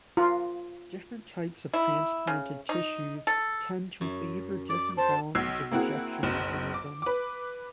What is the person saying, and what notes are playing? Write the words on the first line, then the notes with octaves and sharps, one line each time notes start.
Different types of transplanted tissues tend to favor different balances of rejection mechanisms.
F4
E4
C#3
D#4
A4
F#2
D5 D6
C5 A5
B1 E6 G#6 C7
A#3 C4 E4 F#4 G#4
F#1 B1 E7
D6
B4 D6